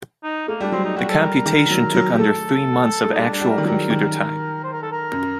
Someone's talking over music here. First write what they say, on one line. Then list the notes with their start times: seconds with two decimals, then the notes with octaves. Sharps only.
The computation took under three months of actual computer time.
0.24 D#4
0.48 A3 A#3
0.60 G3 D4
0.72 F#3 C4
0.85 D#4
0.96 G3 F#4
1.09 A4
1.21 G3 A#4
1.46 D#3
1.70 F#3
1.95 F#3
2.13 G4
2.19 A3 A4
3.05 A3
3.12 D#4
3.16 G3 D4
3.34 D4
3.41 G3
3.50 A#4
3.58 D#3
3.65 F#3 A#4
3.90 D#3
4.63 C5
4.73 A#4
4.82 A4
4.92 A#4
5.13 F#2